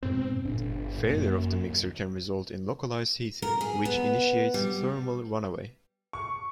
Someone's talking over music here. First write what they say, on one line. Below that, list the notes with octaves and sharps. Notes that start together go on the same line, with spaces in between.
Failure of the mixer can result in localized heating, which initiates thermal runaway.
F2 G#2 B2 C4
G1 A#2 D4
F#2 A#3
D#2
A#4
G#4
B3
G3
C#6